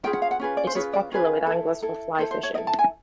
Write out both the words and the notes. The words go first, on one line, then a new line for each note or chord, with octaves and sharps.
It is popular with anglers for fly fishing.
C#4 F4 G#4 B4 G5
F#5
F5
F#5
C#4 F4 G#4 B4
D5
C5
C#4 F4 G#4 B4 C#5
D5
C#4 F4 G#4 B4
E4 A4
E4 A4
E4 A4 C5
C5
C#5
E4 A4 D#5
A5
G#5